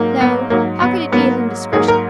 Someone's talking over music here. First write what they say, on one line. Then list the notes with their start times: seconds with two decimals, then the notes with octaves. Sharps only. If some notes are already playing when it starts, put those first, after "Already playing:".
No, how could it be an indiscretion?...
Already playing: G#2 F#3 A#3
0.21 B3
0.50 G#2 F#3 A#3
0.82 B3
1.12 G#2 F#3 A#3 B3
1.72 G#2 F#3 A#3 G#4
1.88 A#4